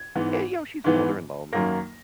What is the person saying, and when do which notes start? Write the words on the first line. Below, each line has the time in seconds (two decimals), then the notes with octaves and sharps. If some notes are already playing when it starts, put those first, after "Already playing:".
And, you know, she's older and lonely.
Already playing: G#6
0.15 G#2 E3 B3
0.84 G#2 E3 B3
1.53 F#2 D#3 F#3 A#3 A#6